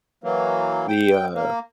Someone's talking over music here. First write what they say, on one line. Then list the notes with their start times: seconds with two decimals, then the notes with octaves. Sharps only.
the, uh
0.24 E3 F#3 A#3
0.88 G5
1.35 A#3